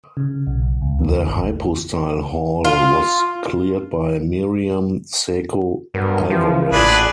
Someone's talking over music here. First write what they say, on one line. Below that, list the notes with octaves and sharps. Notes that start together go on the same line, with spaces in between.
The Hypostyle Hall was cleared by Myriam Seco Alvarez.
C#3
B1
C#2
D#2
G1
F4
G2 F#3 B3 A#4
E3 F3
A1 A#2 D4 G#4 B4